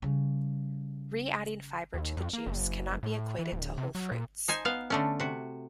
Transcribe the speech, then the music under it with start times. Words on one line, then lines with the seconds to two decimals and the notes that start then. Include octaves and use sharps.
Re-adding fiber to the juice cannot be equated to whole fruits.
0.02 C#3 G3
1.94 D#2
2.17 F2
2.33 A#3
2.46 F#1
3.03 A2
3.39 E3
3.52 D1
3.78 C3
3.95 F#3
4.12 A#2
4.48 D#4 C5 G#5
4.65 B3 F5
4.90 D3 A3 C#4
5.20 C3 F#4